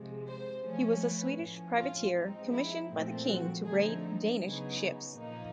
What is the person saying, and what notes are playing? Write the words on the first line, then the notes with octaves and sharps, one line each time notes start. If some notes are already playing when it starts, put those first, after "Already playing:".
He was a Swedish privateer commissioned by the king to raid Danish ships.
Already playing: C3 F3 G#3
C5
F3 A3 C#4
B4
A2 F3 A3 C#4
F4
F3 G#3 C4 D#4
E4
A#2 F3 A3 C4
F#4
D3 F3 A3 C4 D#4 G#4
C#3 F#3 B3 D#4 G#4
A#2 F3 A#3 D#4